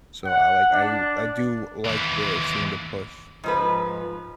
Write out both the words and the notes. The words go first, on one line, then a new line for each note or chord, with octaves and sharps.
So I, like I I do like the seeing the push.
F#5
D4
D#2 E3
G#2 F3 B4